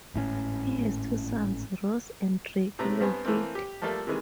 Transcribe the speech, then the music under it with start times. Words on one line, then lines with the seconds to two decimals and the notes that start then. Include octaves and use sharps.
He has two sons, Ross and Drake Lawhead.
0.14 G#1 A2 C3 C#4
2.79 A2 C3 A3 B4 A#5
3.00 G2 B3 C4 G#5
3.25 E3 A3 A#3 C4
3.55 G4
3.82 F3 G3 A3 A#3 A4 E5
4.07 C3 D#3 E3 G#3